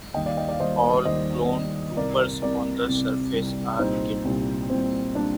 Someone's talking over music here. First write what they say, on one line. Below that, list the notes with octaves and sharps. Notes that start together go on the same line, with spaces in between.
All clone troopers on the surface are killed.
D#2 D#3 G3 D#5 G5
D5 F5
D#5 G5
D5 F5
D#2 D#3 G3 C5 D#5
D#2 D#3 G3 C5 D#5
D#2 D#3 G3
C2 C3 G3 A#4 D5
C2 C3 G3 A#4 D5
C2 C3 G3
C2 C3 G3
C2 A#2 G3 C4 D#4
C2 A#2 G3
C2 A#2 G3 C4
A#2 G3 D4